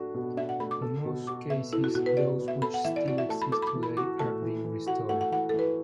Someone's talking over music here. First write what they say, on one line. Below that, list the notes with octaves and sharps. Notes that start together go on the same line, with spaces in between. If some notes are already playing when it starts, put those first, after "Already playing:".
In most cases those which still exist today are being restored.
Already playing: A3 D4 F#4
B2
D4 E5
F#5
A3 B5
D6
A4
B2
F#4 D6
B3 E5
E4 A4
F#4
B2 F#4
B4
F#4 D5
B3
E5
A4 B5
F#5
E3 E5
D5
F#4 D5
E5
A3 A5
B5
A4 D6
B5
D6
E3
B5
F#4 D6
A3 A5
E3
E3
F#4 F#5
A3 F#5
F#5
E3 F#5
A4
E3 B4